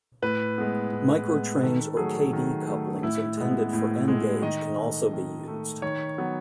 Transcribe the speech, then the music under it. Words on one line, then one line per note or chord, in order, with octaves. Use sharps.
MicroTrains or Kadee couplings intended for N gauge can also been used.
A2 B4
G#3 B3
A2
G#3 B3
D#3 A4
F#3 A3 G#4
D#3
F#3 A3
A2 E4
G#3 B3
A2
G#3 B3
D#3 D#5
A3
D#3
A3
D#3 C#5
F#3 B3